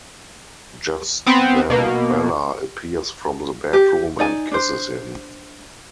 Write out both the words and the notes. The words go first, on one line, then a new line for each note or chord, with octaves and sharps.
Just then, Bella appears from the bedroom and kisses him.
B3 C4
B2 A#3
G4
D#4 D5 G#5
D4 C5